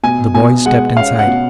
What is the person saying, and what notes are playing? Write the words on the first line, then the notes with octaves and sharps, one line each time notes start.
The boys stepped inside.
B2 G#5
B2 G#5
G#3 F#5
C#4 F5
F#5
B2